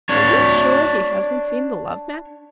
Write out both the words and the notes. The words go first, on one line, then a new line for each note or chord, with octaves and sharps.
"Are you sure he hasn't seen the Love Magnet?"
D4 C#5